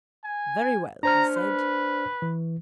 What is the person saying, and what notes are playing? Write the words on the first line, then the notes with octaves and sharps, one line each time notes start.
'Very well,' he said.
G#5
D4 C5 A#5 F6
B4
E3